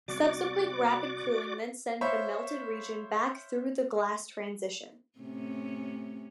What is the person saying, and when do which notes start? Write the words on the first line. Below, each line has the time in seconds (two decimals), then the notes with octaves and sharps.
Subsequent rapid cooling then sends the melted region back through the glass transition.
0.08 C3 G3 B3 F#4 D5 D6
2.01 C5 C#5 E5 F5 B5 C#6
5.19 A2 C3 C#4